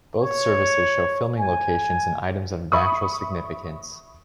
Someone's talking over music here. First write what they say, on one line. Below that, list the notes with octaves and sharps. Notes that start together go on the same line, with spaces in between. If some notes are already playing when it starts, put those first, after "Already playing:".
Both services show filming locations and items of natural significance.
C#5
G#5
E5 B5 C#6 D#6